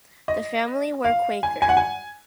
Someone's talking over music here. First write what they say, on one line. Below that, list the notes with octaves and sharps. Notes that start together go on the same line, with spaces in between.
The family were Quaker.
D#5
F5
G#5
G#5
F#5
G#5